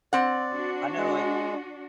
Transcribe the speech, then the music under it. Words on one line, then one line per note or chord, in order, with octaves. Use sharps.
I know, like
C4 D5 F#5
D4 F#4
G#3